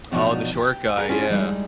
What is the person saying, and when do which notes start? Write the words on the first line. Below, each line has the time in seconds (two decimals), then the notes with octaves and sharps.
Oh, the short guy, yeah.
0.12 B2 F3 F#3 D4 D#4
0.55 G4
0.97 G#4 B4 F#5 G#5 A#5
1.09 C#4 D4 E4 F4 G#4
1.30 G3 G#3 D#4